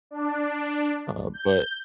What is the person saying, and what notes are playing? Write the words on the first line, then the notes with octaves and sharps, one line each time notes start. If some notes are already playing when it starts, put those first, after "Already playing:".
uh, but
D4
G6